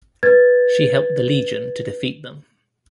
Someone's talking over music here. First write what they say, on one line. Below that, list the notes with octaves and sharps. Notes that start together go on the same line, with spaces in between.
She helped the Legion to defeat them.
B4 G#6 A6